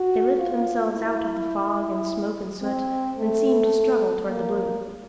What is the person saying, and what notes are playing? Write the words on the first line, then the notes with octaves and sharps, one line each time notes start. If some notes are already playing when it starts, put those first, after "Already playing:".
They lift themselves out of the fog and smoke and soot, and seem to struggle toward the blue.
Already playing: F#4
F4
E4
C4
A3
A#3